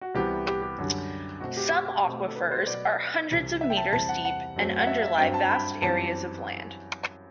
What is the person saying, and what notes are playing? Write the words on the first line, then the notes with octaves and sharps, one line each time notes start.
Some aquifers are hundreds of meters deep and underlie vast areas of land.
F#4
C2 C3 E3 G3 B3 G4
G4
G4
F#2 D3 G3
B2 A3 C4 F#4
G4
B2 A3 C4
A4
B4
C5
B2 F#3 B3 D5
C2 C3 E3
E5
G5
A5
E2 C3 G3 C4 A5
F#5
F#5
F#2 F#3 A3 C4
F#5
E5
E5
G2 F#3 C4 G5
A5
B5
F#2 E3 G3 C4 A5